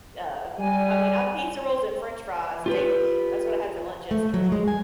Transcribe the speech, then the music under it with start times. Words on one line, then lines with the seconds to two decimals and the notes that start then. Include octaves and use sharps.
uh I mean, I'm pizza rolls and French fries daily. That's what I had for lunch yesterday.
0.58 G3 G#5
2.66 F4 G4 B4
4.11 A3
4.34 F#3
4.52 G#3
4.68 G#5